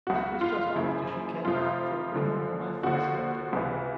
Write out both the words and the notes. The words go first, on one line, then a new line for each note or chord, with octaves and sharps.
That was just after she came back from bringing you my first letter.
C#2 B2 F#4
F4
F#1 F#2 C#3 F3 E4
F1 F2 C3 F3 F4
F#1 F#2 D3 F3
D#2 D3 F3 F#4
C#2 C3 E3